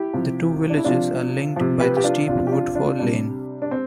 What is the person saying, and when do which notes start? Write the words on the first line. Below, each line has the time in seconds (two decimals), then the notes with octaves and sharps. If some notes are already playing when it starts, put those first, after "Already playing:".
The two villages are linked by the steep Woodfall Lane.
Already playing: E4 G4
0.13 C3 F3
0.70 D4
0.77 E4
0.84 C3 F3 D4 F4
1.56 C3 F3
1.80 G4 B4
1.97 G4
2.04 D4 F4
2.28 C3 F3 D4 F4
2.47 G4
2.52 D4 F4
2.75 D4 F4
2.99 C3 G3 D4
3.62 D4
3.71 C4